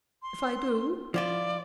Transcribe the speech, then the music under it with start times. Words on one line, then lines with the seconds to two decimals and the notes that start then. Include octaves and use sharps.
"If I do?"
0.22 C6
1.14 F3 E4 F4 D5